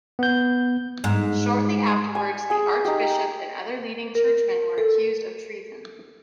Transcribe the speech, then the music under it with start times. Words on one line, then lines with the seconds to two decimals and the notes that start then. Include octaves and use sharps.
Shortly afterwards the archbishop and other leading churchmen were accused of treason.
0.19 B3 G6
1.04 G#2
2.15 G#5
2.50 G#4 G#5
2.85 D#4 G4
4.15 A#4
4.78 A4